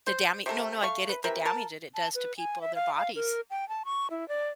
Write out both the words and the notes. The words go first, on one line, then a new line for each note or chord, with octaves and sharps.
The dama no, no, I get it, the damage that it does to people, their bodies.
C5
C3 A3 A4 A#4
A3 F5 C#6
B4
C3 E3 A#4 E5
A#4 A5
A5
B4
G#5
E5
F5
F5
A#4
G5
A5
C#6
E4
D5